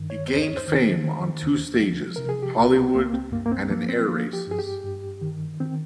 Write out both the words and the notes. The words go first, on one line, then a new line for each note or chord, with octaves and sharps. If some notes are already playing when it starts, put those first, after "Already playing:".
He gained fame on two stages: Hollywood and in air races.
Already playing: G2 D#3
C#5
D#2 C5
C#5
C5
D#3
D#3
D#2
F3
C3 A#4
G#4
G4
C#2 F4
G4
C4
C#2 A#3
A#3
C4
G2 A#3
A#3
C4
F3 A#3
C4
F3 A#3
G4
G2 G#4
G4
G2
D#3
D#3 C4